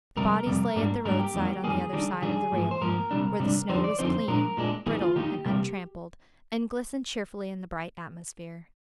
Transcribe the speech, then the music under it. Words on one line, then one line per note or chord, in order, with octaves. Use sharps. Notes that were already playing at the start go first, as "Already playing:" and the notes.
The bodies lay at the roadside on the other side of the railing, where the snow was clean, brittle and untrampled and glistened cheerfully in the bright atmosphere.
F2 C3 G3 A#4
F2 C3 G3
G#2 G3 A#3 D4
G#2 G3 A#3 D4 A#4
G4
F2 D#3 G3 A#3
F2 D#3 G3 A#3 G#4
D#3 G3 D4
D#3 G3 D4 G#4
G#2 F3 A#3
C5
G#2 F3 A#3 A#4
C3 G3 D4
C3 G3 D4
F2 D3 F3 D#4 C5
D5
F2 D3 F3 C4 D#4 C5
A#2 G#3 D4 A#4
A#2 G#3 D4
D#3 A#3 D#4 G#4
F4
D#3 A#3 D#4 G4
C3 G3 A#3